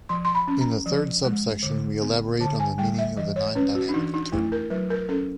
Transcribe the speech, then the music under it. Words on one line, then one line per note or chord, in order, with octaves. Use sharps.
In the third subsection we elaborate on the meaning of the non-dynamical term.
F3 C6
C6
B5
C#4
A#5
F3
G#3
D3
B3
D3 A5
G#5
G3 G5
E5
E3 D#5
C#5
C#4 B4
F#4
D4
E3 D#4
D#4
A3 E4
A#4
F#3 B4
A#4
C#4 A4